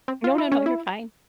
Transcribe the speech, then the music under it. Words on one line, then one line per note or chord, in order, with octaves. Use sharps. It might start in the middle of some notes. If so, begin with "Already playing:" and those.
No, no, no, you're fine.
C4
F4
E4
C#4
E4